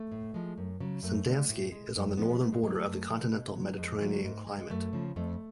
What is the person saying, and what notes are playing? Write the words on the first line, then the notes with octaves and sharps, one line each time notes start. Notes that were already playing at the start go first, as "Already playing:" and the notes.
Sandanski is on the northern border of the continental Mediterranean climate.
Already playing: A3
A2
F3 G#3
F#2
C#3 F#3
F#2 A3
D3 G#3
A2
G#3
F#2 G#3
A3
F3 G#3 B3
B3
A2 B3
G#3
F#3 G#3
A3
F#2
F3 G#3
B2
F#3
F2 G#3
D3 F#3 A3
G#2
G#3
G#3
F#2 A3
C#3 F3
F2 A3